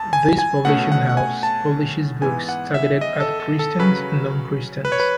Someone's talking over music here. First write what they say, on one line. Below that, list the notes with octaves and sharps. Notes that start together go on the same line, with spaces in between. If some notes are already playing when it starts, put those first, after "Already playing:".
This publishing house publishes books targeted at Christians and non-Christians.
Already playing: E2 A5
G#5
G#5
B2 A3 C#4 F#5
F#5
F#5
G#5
A5
G#2 E3 B3 G#5
F#5
E5
D#5
A4
A4
A4
C#3 F#3 C#4 B4
B4
C#5
B4